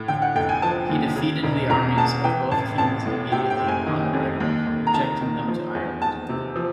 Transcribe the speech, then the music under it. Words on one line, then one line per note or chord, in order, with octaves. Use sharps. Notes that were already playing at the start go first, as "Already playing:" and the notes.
He defeated the armies of both kings immediately upon arrival, ejecting them to Ireland.
Already playing: A2
D3 G5
F#5
F1 G5
G#5
F3 A5
D#2
C#3
E1
E1 A#5
E2 A5
E3 G5
A1 A5
A1 A5
A2
C3 G5
G5
F#1
G#5
D#3
F2
D#2
D#2
A#5
D#3 A5
D#3
F3
E2
E2 A5
C3
F3